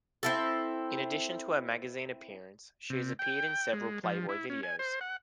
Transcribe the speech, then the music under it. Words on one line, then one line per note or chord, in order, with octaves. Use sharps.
In addition to her magazine appearance she has appeared in several "Playboy" videos.
C4 E4 A4
C3
G5
G#3
F3
E4
C#4
G#5
C5
F#5